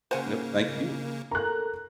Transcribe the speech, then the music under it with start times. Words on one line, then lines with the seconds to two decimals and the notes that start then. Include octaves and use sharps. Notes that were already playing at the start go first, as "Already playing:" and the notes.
Yep, thank you.
0.11 C#3 A#3 C5 F#5 G#5
1.31 A4 A#4 A#5 F#6